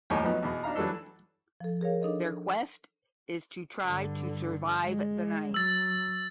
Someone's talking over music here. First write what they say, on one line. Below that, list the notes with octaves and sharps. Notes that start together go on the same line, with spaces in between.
Their quest is to try to survive the night.
D#2 A2 G3 C#5 G#5
F3 F#3 B3 D#4
E2 B2
D4 D#4 F5 A#5
E3 F#3 G3 D4 A4
F3 A4
G#4 A#4 C#5 F5
D4 D#4 A4 D#5
G2 D3
G#3
F#3 E6 A6